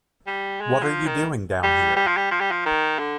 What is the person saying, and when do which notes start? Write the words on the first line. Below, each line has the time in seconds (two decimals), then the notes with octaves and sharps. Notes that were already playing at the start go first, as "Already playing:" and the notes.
What are you doing down here?
0.27 G3
0.61 G#3
0.83 F3
1.06 D#3
1.63 G3
1.96 G3
2.07 F3
2.17 G3
2.31 F3
2.40 G3
2.51 F3
2.66 D#3
2.99 D3